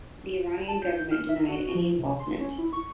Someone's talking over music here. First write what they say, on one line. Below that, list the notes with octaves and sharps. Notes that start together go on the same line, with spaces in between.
The Iranian government denied any involvement.
A5
G6
F6
E5
F#4
F3
C3
C6
C#4
E4
C#6